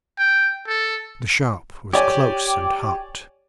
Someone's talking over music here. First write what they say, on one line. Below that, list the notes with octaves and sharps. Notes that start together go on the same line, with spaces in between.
The shop was close and hot.
G5
A4
G4 C#5 D5 G#5